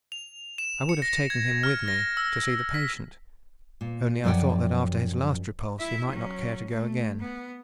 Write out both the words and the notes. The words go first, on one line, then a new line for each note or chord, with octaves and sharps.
I would have taken him with me to see the patient, only I thought that after his last repulse he might not care to go again.
F7
E7
C#7
A#6
G#6
F6
A#6
E6
B6
A#2
F#2 F3 C#5 D5 F#5 G5
E4 E5
F#3 C#4
A3
B3